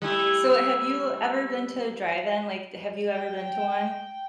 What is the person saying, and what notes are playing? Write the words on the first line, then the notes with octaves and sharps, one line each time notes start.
So have you ever been to a drive-in, like, have you ever been to one?
G3 A3 E4
G5